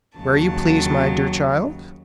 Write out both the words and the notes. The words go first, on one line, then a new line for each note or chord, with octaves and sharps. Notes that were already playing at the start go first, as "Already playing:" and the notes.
"Where you please, my dear child."
D#2 C#3 F#3 A5